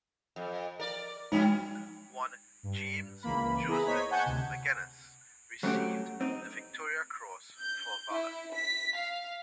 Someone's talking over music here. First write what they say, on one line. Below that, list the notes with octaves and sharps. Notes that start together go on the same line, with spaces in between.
One, James Joseph Magennis, received the Victoria Cross for valour.
F2
A#4 D5
F3 G3 G#3 C#4 D#4
G2
C#2 E3 A#3 B5
B3 E4 G#4 B4 A#5 B5
C5 C#5 D#5 G#6 B6
F#5 G#5 A5 C#6 G6 G#6
D2 C3
F#3 A3 C4 C#4 F#4 G4
C4 D#4
G6
E4
B6
F5